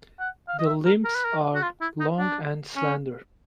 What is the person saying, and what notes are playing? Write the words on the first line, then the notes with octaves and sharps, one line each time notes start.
The limbs are long and slender.
F#5
F5
D#5
E5
A#4
A#4
B4
A#4
F#4
F4
E4
D#4
D4
C#4